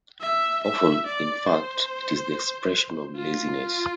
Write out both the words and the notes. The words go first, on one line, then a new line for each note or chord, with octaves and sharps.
Often, in fact, it is the expression of laziness.
E5
E5
D5
C5
F4